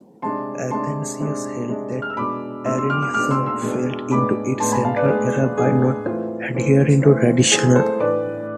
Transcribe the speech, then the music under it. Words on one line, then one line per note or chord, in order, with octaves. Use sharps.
Athanasius held that Arianism fell into its central error by not adhering to tradition.
C3 G#3 D4 A5 C6
C3 G#3 D4 A5 C6
C3 G#3 D4
C3 G#3 D4
F6
E6
B2 G#3 D4 B5 D6
B2 G#3 D4 C6 E6
C6 E6
D6 F6
D6 F6
B2 G#3 D4 D6 F6
C6 E6
C6 E6
B2 G#3 D4
A2 G#3 B3 D4 B5 D6
A2 G#3 B3 D4 A5 C6
G#5 B5
F5 A5
B4 D5
A2 G#3 B3 D4 G#4 B4
A2 G#3 B3 D4 G#4
E3 A3 C4 F4
E3 A3 C4
E3 A3 C4
E3 A3 C4 G#4
A4 C5
A2 E3 A3 D4 B4 D5